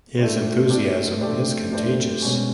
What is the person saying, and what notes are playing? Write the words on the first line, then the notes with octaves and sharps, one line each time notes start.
His enthusiasm is contagious.
A3 D4 G4 C5
A3 D4 G4 C5
A3 D4 G4 C5
A3 D4 G4 C5
B2 G#3 C#4